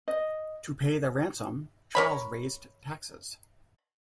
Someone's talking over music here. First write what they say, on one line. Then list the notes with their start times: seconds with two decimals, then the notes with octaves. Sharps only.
To pay the ransom, Charles raised taxes.
0.08 D#5
1.95 A#4 C#5 B5